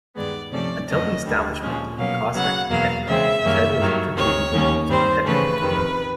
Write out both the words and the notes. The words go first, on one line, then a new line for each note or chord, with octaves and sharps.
Until the establishment of the Cossack Hetmanate the title was interchangeably used with Hetman.
G2 D#3 G#3 B3 D5
C3 F3 A3 C#4 D5
F2 D3 F#3 A3 C#4 D#5
D2 D3 G3
A#2 F3 G#3 C#4
B2 F#3 A#3 C#4 F5
C#3 F#3 B3 F#5
E2 B2 F#3 A#3 F5
C#3 E3 G#3 C4 E5
F#2 D#3 G3 A#3 C#4
G2 D#3 F#3
D2 C3 D#3 C#5
D#2 D#3 G3 A#3 C#4
G2 D#3 G3 C4 C5
C#3 E3 A3 C#4 B4
F2 C3 D#3